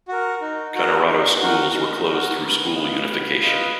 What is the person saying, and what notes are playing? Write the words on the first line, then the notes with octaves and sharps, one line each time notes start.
Kanorado schools were closed through school unification.
F#4 A#4
D#4
F#4 A#4
D#4
F#4 A#4
D#4
F#4 A#4
B3
F4 B4 D#5
B3
F4 B4 D#5